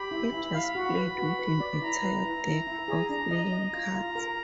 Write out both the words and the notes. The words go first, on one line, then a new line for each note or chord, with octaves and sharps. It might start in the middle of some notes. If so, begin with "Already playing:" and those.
It was played with an entire deck of playing cards.
Already playing: G4 B5
E4
E4
F5 B5
F#4
B4
F#4
B4
D5
E4 A#5
B4
E4
E4
E4
G#4
D4 A#5
D#5
D#5
F4
F4
A#4